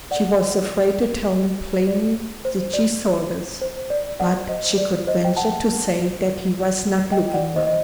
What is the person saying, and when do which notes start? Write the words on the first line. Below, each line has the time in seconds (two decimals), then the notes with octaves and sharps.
She was afraid to tell him plainly that she saw this; but she could venture to say that he was not looking well.
0.11 D5 F#5
1.87 D5
2.45 C5
2.74 D5
3.61 C5
3.90 D5
4.19 D5 F#5
4.49 C5 D#5
4.78 D5
5.07 C5 D#5
5.25 G5
5.37 F#5 A5
7.12 D#5 G5
7.34 D5 F#5
7.56 C5 D#5
7.67 D#5